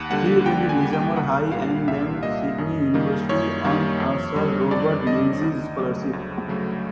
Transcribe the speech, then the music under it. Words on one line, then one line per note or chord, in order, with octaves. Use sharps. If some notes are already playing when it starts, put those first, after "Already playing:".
He attended Lismore High and then Sydney University on a Sir Robert Menzies scholarship.
Already playing: D#2 F#5
D3 G3 A#3 F#5
D#2 G5
G#5
D3 G3 A#3
G5
C2 F#5
A#2 G3 A#3 F5
C2 E5
A#2 G3 A#3 D#5
F#2
D#3 G3 A#3
F#2 C#5
D#3 G3 A#3
F2
D3 G3
F2 D5
D3 G3 D#5
D2
C#3 F#3 A3
D2
C#3 F#3 A3